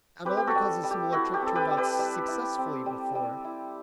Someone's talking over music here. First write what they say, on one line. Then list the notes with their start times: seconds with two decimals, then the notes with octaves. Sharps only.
And all because a similar trick turned out successfully before!
0.25 C4 G4 B4
0.37 G4
0.47 F#4 A4
0.55 G3
0.83 G3
0.91 G4
1.13 E4 F#4
1.34 G4
1.42 C4 A4
1.55 G4 B4
1.71 G3
1.77 G4 B4
1.99 G3
2.28 E4
2.58 C4
2.86 G3
3.15 G3
3.44 E4